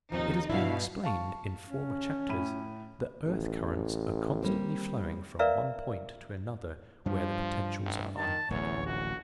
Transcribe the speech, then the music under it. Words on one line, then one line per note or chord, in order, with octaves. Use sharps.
It has been explained in former chapters that earth-currents are constantly flowing from one point to another where the potentials are unequal.
D#2 F3 C4 D#4
G2 B2 D4 E4 F5
F5 A5 C#6
C#4
A2 B5 D#7
A1
G3 A#3 C4
A#4 B4 D5 E5 F5 A#5
G2 F3 G3
A1
D#3 A5
D1 A1 E2 C#5
A#1 F#4